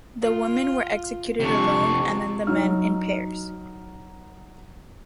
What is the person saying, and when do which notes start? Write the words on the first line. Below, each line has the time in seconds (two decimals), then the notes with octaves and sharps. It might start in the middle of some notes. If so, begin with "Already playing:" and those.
The women were executed alone and then the men in pairs.
0.21 F4
1.40 F2 C3 D4 C#6
2.47 F#3 D#4 F6